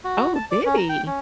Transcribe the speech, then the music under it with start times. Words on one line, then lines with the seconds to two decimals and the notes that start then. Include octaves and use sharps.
Oh, did he?
0.04 F#4
0.35 A5
0.51 D5
0.66 C#4
0.77 A#5
0.89 G5
1.07 C#4